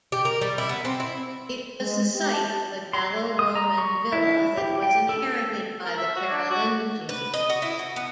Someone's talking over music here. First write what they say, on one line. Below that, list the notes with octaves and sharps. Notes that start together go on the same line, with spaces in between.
It was the site of a Gallo-Roman villa that was inherited by the Carolingians.
G4
A#4
G3
E4
B3
C4
E4
G#3
G4
A5
C6
D#6
A#5
C#6
E4
G4
G5
A4
A#4
E5
F#4
D4
F#4
B4
D#5
F#4
E4
F#4
B3